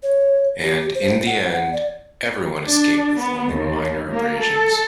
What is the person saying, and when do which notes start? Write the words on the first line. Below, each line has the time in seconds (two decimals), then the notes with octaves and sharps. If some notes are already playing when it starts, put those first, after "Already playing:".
And in the end, everyone escaped with only minor abrasions.
0.03 C#5
0.64 G4
0.95 C5
1.26 F#5
1.53 F#5
1.73 D5
2.65 D4
3.18 B3
3.52 D#2
4.08 A#3
4.41 A4